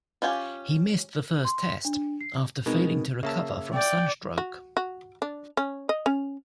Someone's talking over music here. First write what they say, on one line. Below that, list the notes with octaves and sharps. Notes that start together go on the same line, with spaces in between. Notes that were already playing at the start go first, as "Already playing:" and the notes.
He missed the first Test, after failing to recover from sunstroke.
C#4 F4 G4 G#5
C6
D4
C7
B2 G#3 C4 D#4 A#4
C#3 A#3 E5 A5 E6
D5 G5
F#4
F#4
D4
C#4
D#5
C#4